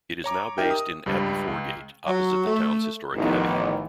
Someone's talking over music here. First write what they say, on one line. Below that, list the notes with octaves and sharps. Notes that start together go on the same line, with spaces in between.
It is now based in Abbey Foregate, opposite the town's historic Abbey.
C#5 A#5 D6
D#4 G4 A#4 E5 G5
D#6
C#2 G2 G3
C#2
F#3
A3
A1 D#3 F3 B3